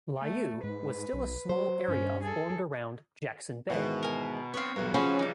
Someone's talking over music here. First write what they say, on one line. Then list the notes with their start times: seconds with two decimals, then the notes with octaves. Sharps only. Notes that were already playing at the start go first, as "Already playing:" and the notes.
Layou was still a small area formed around Jackson Bay.
0.19 A3
0.64 G#2 B4
1.13 B1
1.49 F#3 C5
1.88 G2 C#4
2.22 G#4 A4
3.70 G#2 B2 D#3 E3
4.03 A#4 G#5
4.54 B3 C4 B4 C#5 F5
4.76 B1 G2 E3 F#4 A#4
4.94 C#3 F3 C#4 F#4 G#4 B4 C5 G#5
5.19 E3 G3 D#4 D6